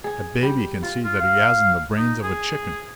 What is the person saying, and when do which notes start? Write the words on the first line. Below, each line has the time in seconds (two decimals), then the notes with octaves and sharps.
A baby can see that he hasn't the brains of a chicken.
0.04 G#4
0.43 G3
0.83 F4
1.05 F4
1.20 F5
1.97 D#4
2.23 G#4